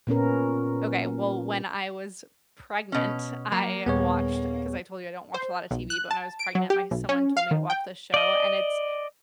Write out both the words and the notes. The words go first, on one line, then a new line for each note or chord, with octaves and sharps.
Okay, well, when I was pregnant, I watched 'cause I told you, I don't watch a lot of TV, but when I was pregnant, my someone told me to watch this show, and it's
A#2 B3 C#4 A#4
B2 C#4
F#3 A#3
D#2 A#2 G3 B3 G#4 C#5
C5
B1
F#6
A5
D7
F#3
G4
B1
C#4
F5
D#3
G5
D5 D#5